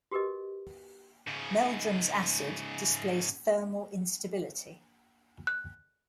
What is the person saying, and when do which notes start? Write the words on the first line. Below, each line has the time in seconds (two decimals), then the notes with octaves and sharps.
Meldrum's acid displays thermal instability.
0.11 F#4 G4 A#4 B4 D#5
1.28 G#2 C#3
5.47 F#6